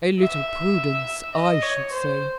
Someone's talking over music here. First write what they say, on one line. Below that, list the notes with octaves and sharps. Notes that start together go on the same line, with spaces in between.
"A little prudence I should say."
E5
D#5
C#5
C5